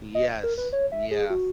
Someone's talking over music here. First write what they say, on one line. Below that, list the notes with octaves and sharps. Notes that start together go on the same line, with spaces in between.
Yes. Yeah.
D#5
A#4
B4
C#5
E5
G#4
F#4